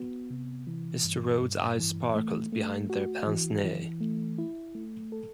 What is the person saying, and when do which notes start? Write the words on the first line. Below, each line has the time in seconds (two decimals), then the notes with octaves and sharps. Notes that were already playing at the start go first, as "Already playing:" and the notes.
Mr. Rhodes's eyes sparkled behind their pince-nez.
Already playing: B3 F#4
0.30 C3
0.67 E3
1.04 G2
1.41 G2
1.79 E3
2.15 A3
2.52 A3
2.90 F#4
3.27 E3
3.64 E3
4.01 A3
4.38 E4
4.75 A3
5.12 A4